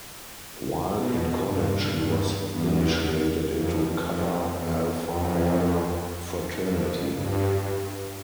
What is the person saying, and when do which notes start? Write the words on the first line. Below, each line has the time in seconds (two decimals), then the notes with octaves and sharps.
While in college he was initiated into Kappa Alpha Order fraternity.
0.95 B2
1.46 G2
1.98 G2
2.49 E2
3.52 F2
4.04 F2
4.56 E2
5.07 F2
6.62 F2
7.14 G2